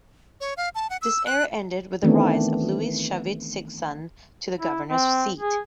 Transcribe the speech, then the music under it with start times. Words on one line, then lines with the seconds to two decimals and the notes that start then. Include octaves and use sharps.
This era ended with the rise of Luis "Chavit" Singson to the governor's seat.
0.41 C#5
0.57 F5
0.75 A5
0.90 F#5
1.02 E6
1.26 F#6
2.03 D#3 E3 A3 B3 C4 D4
4.59 E4
4.90 C4
5.40 G#4